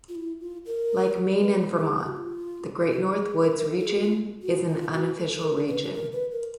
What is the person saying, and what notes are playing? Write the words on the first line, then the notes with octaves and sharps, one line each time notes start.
Like Maine and Vermont, the Great North Woods region is an unofficial region.
F4
E4
F4
A#4
B4
G4
G#4
G4
F#4
F4
F#4
G#4
A#4
A#4
A4
A4
G#4
F#4
F4
F#4
F4
F#4
A4
A4
A#4
B4
B4
A#4
B4
A#4